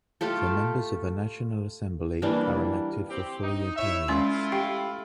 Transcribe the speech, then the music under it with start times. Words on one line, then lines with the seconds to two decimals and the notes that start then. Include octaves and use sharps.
The members of the National Assembly are elected for four-year periods.
0.21 A3 F4 G4 A4
2.22 E3 G3 A#3 D4
3.09 C4 G4
3.42 D#4
3.76 E4 C#5 E5
4.08 G#3 A3 C#4 E4 F4 C6
4.52 G4 G5